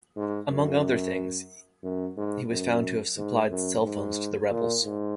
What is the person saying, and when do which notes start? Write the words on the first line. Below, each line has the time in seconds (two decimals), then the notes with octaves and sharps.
Among other things, he was found to have supplied cellphones to the rebels.
0.16 G#2
0.50 F#2
1.83 F#2
2.17 G#2
2.50 F#2
3.17 G#2
3.50 F#2
3.84 G#2
4.51 A#2
4.84 G#2